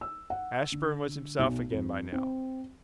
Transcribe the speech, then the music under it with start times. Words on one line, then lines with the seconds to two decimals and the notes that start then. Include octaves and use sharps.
Ashburn was himself again by now.
0.01 E6
0.30 F#5
0.72 D3
1.39 B1
1.71 F2
2.12 C4